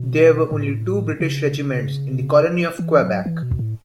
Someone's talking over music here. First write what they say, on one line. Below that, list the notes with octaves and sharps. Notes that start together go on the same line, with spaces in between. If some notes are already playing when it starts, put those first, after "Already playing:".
There were only two British regiments in the colony of Quebec.
Already playing: B2
A2
C#3
E3
F#3
E3
B2
A2